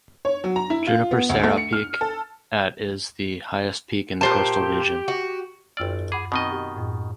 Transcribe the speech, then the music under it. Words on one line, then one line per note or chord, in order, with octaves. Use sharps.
Junipero Serra Peak at is the highest peak in the coastal region.
C#5
F#3
A#5
E4
F4
B3
D2
A3
C#7
F6
A4
A#2 G4 C5 A5
F#4
G#1 F#2 D5 E6 F6
G#4 F#5 B5 D6
B2 D#3 C4 D#5
G4
F#2 A2